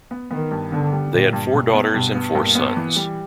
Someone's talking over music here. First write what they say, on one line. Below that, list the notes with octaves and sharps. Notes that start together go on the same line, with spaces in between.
They had four daughters and four sons.
B3
D#3 B3
G2
D3 B3
G3
A#2 G3
G2
G2 B2
B3
G2 B2
B3
G2 A#2
B3
E3
G3